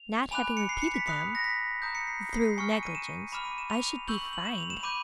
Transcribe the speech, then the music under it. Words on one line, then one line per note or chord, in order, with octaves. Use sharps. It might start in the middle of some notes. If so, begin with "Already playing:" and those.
"Not having repeated them, through negligence, I should be fined."
Already playing: F7
G#5 B5 D6 F#6 F7
C#7
C7
C#7
B6
B5 D#6 F#6 C#7
A#6
B6
A#5 D#6 G6
C#7
C7
C7
C7
G#5 C#6 F6 C#7
D#7
E7
B5 D6 F6 E7
D#7
E7
F7
C#6 E6 G6 F#7
F#7
E7
F7
E7
B5 D6 G6 D#7